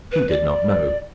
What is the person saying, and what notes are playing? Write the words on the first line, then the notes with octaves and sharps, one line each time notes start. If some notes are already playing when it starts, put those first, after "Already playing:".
He did not know.
B4
D5